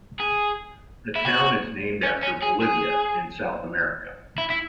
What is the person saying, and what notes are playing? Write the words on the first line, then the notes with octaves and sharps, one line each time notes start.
The town is named after Bolivia, in South America.
G#4
E4
F#4
C#4
C#4
G#4
G#4
E4
E4